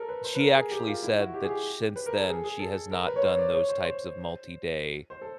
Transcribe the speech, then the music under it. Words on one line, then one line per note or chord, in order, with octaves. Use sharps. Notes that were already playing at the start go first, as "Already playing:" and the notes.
she actually said that sh ince then, she has not done those types of multi-day
Already playing: A4 A#4
B4
C5
B4
A#4
G#4
G4
F4
E4
F#4
G4
G#4
G4
B4
A#4
A4
G#4
G#4
A4
A#4
B4
C#5
C5
C#5
D5
C#5
C5
C5
C5
A4